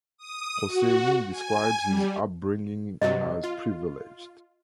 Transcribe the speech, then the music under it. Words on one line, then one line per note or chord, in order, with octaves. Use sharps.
Hosseini describes his upbringing as privileged.
D#6
F#4
G#5
G3
G2 C3 F#3 D#5
F4